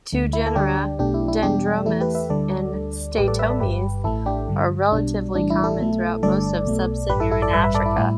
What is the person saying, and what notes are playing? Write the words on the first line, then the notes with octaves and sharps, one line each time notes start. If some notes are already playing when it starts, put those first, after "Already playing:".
Two genera, "Dendromus" and "Steatomys", are relatively common throughout most of sub-Saharan Africa.
D2 D3 A3
E4
A4
D2 D3 G3 D4 G4
B1 B2 A3 D4 G4
E4
E4
E2 B2 G3 D4 G4
E2 E3 A3 E4 A4
G4 B4
B4 E5
D2 D3 G3 A4 D5
D2 D3 G3
A1 A2 G3 G4 B4
A4 D5
B4 E5
A4 D5
G1 G2 G3 G4 B4
A1 A2 A3 E4 A4
D4 G4
G2 D3 G3
B1 B2 G3 D4
B1 A2 E3 G3 D4
E4
E4 A4
B1 B2 A3
G1 G2 D3 A3 A4 D5
B1 B2 A3
A1 G2 G3 G4 B4
E4 A4
E4 A4
A4 D5
A1 G2 G3 B4 E5
B4 E5
A4 D5
E4
A2 G3 E4